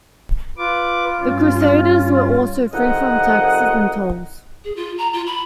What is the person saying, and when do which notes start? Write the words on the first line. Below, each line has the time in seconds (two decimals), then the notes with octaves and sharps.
The crusaders were also free from taxes and tolls.
0.58 F4 B4 D6
1.21 G2 C#4
2.73 C2 F2 D#4 D#5 F#5
4.64 G#4
4.76 F4
4.98 A#5
5.13 F4
5.26 B5